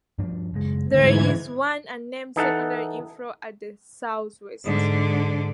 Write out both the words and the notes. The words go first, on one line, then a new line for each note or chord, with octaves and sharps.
There is one unnamed secondary inflow at the southwest.
G2 F3 D4
F#1 G#3
G#2 D3 E3 A3 G#6
E3 D#4 A4 F#5
G#2 D3